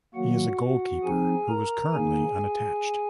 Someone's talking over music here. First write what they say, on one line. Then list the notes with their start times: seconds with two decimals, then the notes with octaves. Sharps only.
He is a goalkeeper who is currently unattached.
0.14 D#3 F#3 A#3 F#4 F#5
1.03 F3 C4 D#4 G#4 G#5
1.49 A#4 A#5
1.93 D#3 A#3 D#4 G#4 G#5